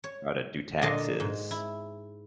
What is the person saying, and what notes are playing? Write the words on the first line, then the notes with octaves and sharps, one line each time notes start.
How to do taxes.
C#5
A#2 D3 D#5 A5 C6
G#2
E4